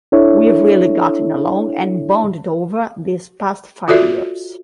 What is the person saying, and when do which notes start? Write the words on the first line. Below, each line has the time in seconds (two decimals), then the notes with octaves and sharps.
We've really gotten along and bonded over these past five years.
0.12 D4 E4 A4 C#5 E5
3.88 F4 F#4 A4 D5 E5